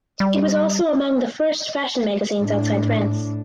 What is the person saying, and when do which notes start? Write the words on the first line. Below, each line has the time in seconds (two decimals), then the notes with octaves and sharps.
It was also among the first fashion magazines outside France.
0.20 G3
2.40 A2 D4